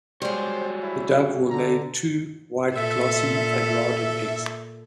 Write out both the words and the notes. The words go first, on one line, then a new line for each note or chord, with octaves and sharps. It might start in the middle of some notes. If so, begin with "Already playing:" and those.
The dove will lay two, white, glossy and rounded eggs.
G3 G#3 F#4 G4 C5 C#5
E4
D3 A#5
A#2 A4 E5